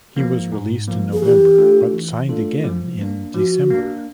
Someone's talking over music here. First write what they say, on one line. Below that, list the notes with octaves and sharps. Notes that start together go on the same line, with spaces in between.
He was released in November but signed again in December.
F3 A#3
G#2
F3 A#3
G#4
E3 G4
A3 D4 F4 A4
E3
A3 D4 F4 A4
F3
A#3 D4
F3 F#4
A#3 D4